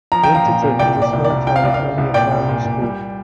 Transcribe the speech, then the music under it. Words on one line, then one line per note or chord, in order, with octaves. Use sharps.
Winterton is a small town with only a primary school.
F3 A#5
G5
F3
F5 A#5
A#2
A#2
C2 D5 G5
A#2
D5
C2
D5
C2
C2 G5
F5
C2 D5
F5
C2
C2
A#2 D5 G5
C2
A#2
A#2
G3